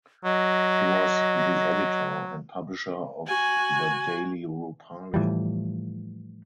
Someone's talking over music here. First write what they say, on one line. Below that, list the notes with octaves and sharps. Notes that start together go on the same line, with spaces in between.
He was the editor and publisher of the "Daily Rupali".
F#3 D#5
F#4 G#5
A2 E3 F3 G3